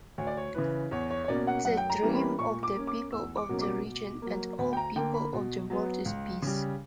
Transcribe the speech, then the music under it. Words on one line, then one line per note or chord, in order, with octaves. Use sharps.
The dream of the people of the region and all people of the world is peace.
D2 C#5
D5
C#5
C#3 E3 B4
E2 C#5
C#5
C#5
B2 A#3 C#4 D5
F#5
F#2 F#5
G5
A#5
E3 G3 A#3 C#4
B5
A#2 C#6
D6
A#3 C#4
D6
E2 E6
D6
B2 F#3 A#3 C#4
D6
B2
F#3 A#3
D2 B5
G5
A#5
D3 A#3 G5
B5
B2
F#3 B3
C#2
C#3 G3